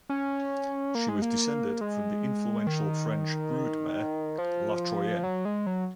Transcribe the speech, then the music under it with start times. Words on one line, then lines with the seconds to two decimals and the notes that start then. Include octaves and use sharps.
She was descended from the influential French broodmare La Troienne.
0.09 C#4
0.95 A#3
1.09 G#3
1.22 A#3
1.81 G#3
2.67 D#3
4.38 F3
5.23 F#3
5.45 G#3
5.67 F#3